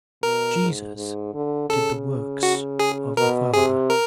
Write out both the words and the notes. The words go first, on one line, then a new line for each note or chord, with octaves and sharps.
Jesus did the works of the Father.
B2 A#4
G#2
G#2
D3
C#3 A4
F#4
G#4
B2 A#4
C3 G#4
A#4